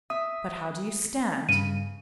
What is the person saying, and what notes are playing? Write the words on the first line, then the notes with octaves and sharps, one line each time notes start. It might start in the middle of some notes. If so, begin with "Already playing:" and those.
But how do you stand?
E5 D#6
G2 C#3 D#7